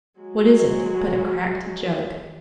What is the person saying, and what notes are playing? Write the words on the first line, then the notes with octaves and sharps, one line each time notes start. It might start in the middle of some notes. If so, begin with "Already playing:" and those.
What is it but a cracked jug?
F#3 G#3